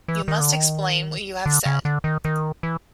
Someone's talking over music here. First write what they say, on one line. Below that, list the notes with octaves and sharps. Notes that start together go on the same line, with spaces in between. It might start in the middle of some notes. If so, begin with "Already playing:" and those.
You must explain what you have said.
E3
D#3
D3
D#3
D3
C#3
D3
D#3
D#3
E3